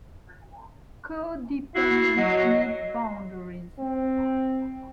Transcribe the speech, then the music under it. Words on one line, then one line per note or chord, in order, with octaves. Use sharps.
Codependents need boundaries.
E4 F#4 C7
F#3 D#5
C4